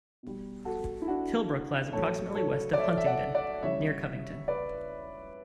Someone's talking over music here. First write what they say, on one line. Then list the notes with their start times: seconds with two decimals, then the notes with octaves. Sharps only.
Tilbrook lies approximately west of Huntingdon, near Covington.
0.23 B2 G3
0.65 F#4 A4
1.02 E4
1.08 D4 F#4
1.93 A2 F#3 A4 C#5
2.35 A4 C#5
2.73 D5
2.78 C#5 E5
2.98 E5
3.06 D5 F#5
3.34 D5 F#5
3.62 C#3 E3 G3 C#5 E5
4.48 B4 D5